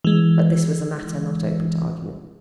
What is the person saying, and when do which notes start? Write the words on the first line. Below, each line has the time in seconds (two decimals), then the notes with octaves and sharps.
But this was a matter not open to argument.
0.04 E3 G#3